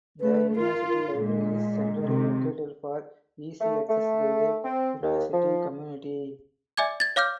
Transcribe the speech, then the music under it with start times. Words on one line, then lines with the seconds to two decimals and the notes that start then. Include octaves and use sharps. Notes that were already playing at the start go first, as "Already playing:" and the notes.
The university library is centrally located for easy access by the university community.
0.21 A3 B4
0.56 F4 A#4
0.89 A#4
1.20 A#2 G#3
2.02 C3 D#3
3.60 A3
3.89 A3
4.64 C4
5.03 D#2
5.33 F3
6.77 D5 E5 G#5 D6 G#6
7.00 G#6 A6
7.16 C#5 F5 D6 F6 G6